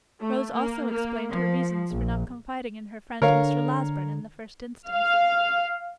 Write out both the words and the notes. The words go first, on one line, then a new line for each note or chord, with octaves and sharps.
Rose also explained her reasons for not confiding in her friend Mr. Losberne in the first instance.
A3
A#3
A#3
F3
A#1
D3 A#4 C#5 F5
F5